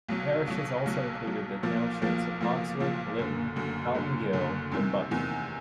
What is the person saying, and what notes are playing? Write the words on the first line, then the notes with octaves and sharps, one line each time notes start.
The parish also included the townships of Hawkswick, Litton, Halton Gill and Buckden.
B1 B2 F#3
B1 B2 F#3
B1 B2 F#3
B1 B2 F#3
B1 A#2 F3 A#3
B1 A#2 F3 A#3
B1 A#2 F3 A#3
B1 A#2 F3 A#3
F#1 F#2 D3
F#1 F#2 D3
F#1 F#2 D3
F#1 F#2 D3
E2 C3 D#3
E2 C3 D#3